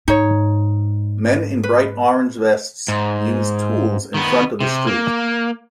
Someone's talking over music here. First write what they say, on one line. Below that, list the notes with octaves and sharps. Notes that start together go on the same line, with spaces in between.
Men in bright orange vests use tools in front of a street.
G#2 D#4 C#5
B4
G#2
D#3 B3
C3
A#3